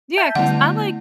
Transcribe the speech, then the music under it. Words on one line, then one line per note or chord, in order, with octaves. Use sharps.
Yeah 'cause I like
E5 A5 G6 B6 D#7
D3 G3 A3 B3 E4 F#5